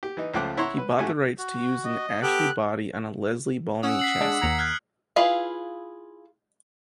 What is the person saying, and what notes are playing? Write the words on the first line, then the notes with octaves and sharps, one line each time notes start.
He bought the rights to use an Ashley body on a Leslie Ballamy chassis.
G4
E3 D#4
C#2 F3 A3 G5 D6 F#6
E4 C#5 F#5 A#5 C6 C#6
B4
A1 A3 F#4 G4 G#5
F#4
D#5
B3 G4 A4 F#6
C#4 F#5 D#6 E6
B6 C7 F#7
G#3 D4 D5
D#2 A#5 G#6 C#7
F6 F#6 G#6
E4 F4 G#4 B4 F5